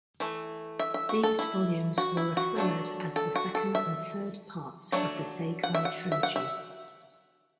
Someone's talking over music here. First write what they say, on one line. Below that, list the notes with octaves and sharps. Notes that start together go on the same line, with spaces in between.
These volumes were referred as the second and third parts of the "Seikai Trilogy".
E3 A3
E5
E5
F#4
A4
E4
F#4
E4
F#4
F#3 A3 D4
A4
F#4
A4
E5
F#3 A3 D4
F#5
E5
F#5
E5
F#5
E5